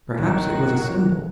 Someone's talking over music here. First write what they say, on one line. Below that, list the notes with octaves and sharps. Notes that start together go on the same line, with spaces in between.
Perhaps it was a symbol.
G1 D#3 F#3 F#4 A#4 C#5 F#6